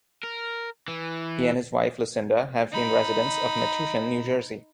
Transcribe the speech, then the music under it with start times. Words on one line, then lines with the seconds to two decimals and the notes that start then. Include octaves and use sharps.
He and his wife, Lucinda, have been residents of Metuchen, New Jersey.
0.23 A#4
0.88 E3
2.71 D#4 B5